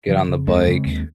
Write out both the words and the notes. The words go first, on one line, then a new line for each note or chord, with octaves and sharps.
get on the bike.
C#3 F3
C#3
D#2 G#3 C4
C#3
D#2